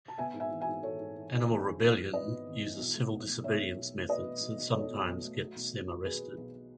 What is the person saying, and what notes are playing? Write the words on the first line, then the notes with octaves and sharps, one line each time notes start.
Animal Rebellion use civil disobedience methods that sometimes get them arrested.
A5
B3 E5 G#5
G#2
E5 G#5
E3
E5 G#5
G#2
E3 A4 C#5
G#2
E3
G#2
G#1
G#2
G#2
E3
G#2 B4 D#5
B3
G#1
E3
B1
A3
B1
B1
B1 C#5 E5
B2
B1
A3
B2 B4 D#5
B1
B1
B1
B1 A4 C#5
B2
B1
A3
F#3
B1
F#3
F#3
B1 G#4 B4
F#3
B1